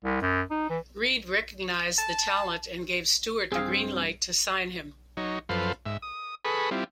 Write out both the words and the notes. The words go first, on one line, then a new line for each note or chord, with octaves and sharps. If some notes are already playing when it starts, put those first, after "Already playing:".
Reid recognised the talent and gave Stewart the green light to sign him.
C2
F#2
D#4
E3
A5
G2 C4 G#4 F5
F#3 D#4 C#5
F#2 F3 A4 B4 C5 F5
G#2 E5
D#6
G#4 A4 B4 B5 C#6 D#6
G3 C4 E4 F4